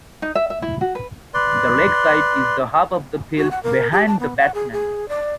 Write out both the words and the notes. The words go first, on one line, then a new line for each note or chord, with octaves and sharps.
The leg side is the half of the field "behind" the batsman.
D#4
E5
E5
E4
F#4
B4
B4 D5 C6
F#4
F#5
A#4
G4
A5
B3
F#5
G#4
G#4
D5